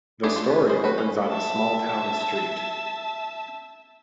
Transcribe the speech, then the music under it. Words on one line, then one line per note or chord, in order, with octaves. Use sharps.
The story opens on a small-town street.
A3 B3 D4 G4 G#4
F4
B4
G#4 C5
F#4 B4
C#4
E5 A5